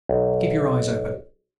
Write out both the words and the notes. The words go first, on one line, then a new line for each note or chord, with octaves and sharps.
Keep your eyes open.
B1